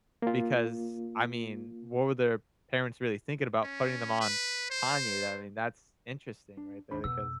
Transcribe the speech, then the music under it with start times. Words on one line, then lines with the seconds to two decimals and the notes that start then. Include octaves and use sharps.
because, I mean, what were their parents really thinking about putting them on Kanye, I mean, that's interesting right there because,
0.22 A#3 F4
3.63 C#4
4.21 B4
4.70 C5
6.57 D4
6.91 D#2 D4 B5
7.04 F2 B2 B3 E6